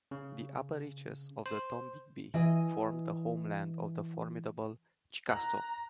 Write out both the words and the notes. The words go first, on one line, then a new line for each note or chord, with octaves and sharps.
The upper reaches of the Tombigbee formed the homeland of the formidable Chickasaw.
C#3
C5
E3 D#5 G#5
A#5 F#6